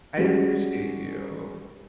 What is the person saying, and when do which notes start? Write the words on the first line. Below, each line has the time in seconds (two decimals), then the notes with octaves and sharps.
I appreciate you.
0.18 G3 G#3 C#4 F#4